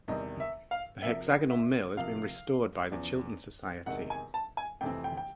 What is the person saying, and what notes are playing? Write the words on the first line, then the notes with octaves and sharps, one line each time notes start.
The hexagonal mill has been restored by the Chiltern Society.
E2 C3 D#3 G3 D#5
E5
F5
C3 F3 A#3 E5
E5
C3 F3 A#3 F5
E2 C#3 F3
E2 C3 D#3 G#3 F#5
G#5
A5
G#5
F2 C3 E3 A3 C4 G5
G5
G5